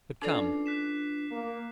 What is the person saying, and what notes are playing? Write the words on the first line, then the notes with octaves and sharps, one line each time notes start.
But come!
C#4 D4 F4 A4 B4 D5 D6 C7
F#6 B6 E7
A#3